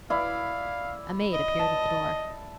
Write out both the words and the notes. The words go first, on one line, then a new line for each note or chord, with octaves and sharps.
A maid appeared at the door.
E4 D5 F5
D#5
A5